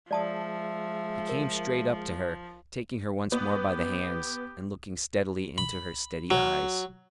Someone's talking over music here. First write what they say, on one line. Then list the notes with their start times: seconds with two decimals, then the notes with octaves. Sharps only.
He came straight up to her, taking her once more by the hands, and looking steadily into her steady eyes.
0.11 F3 G#3 D5 E5 A5 D#6
1.29 A#4
3.32 B3 G4
5.58 B5
6.30 F#3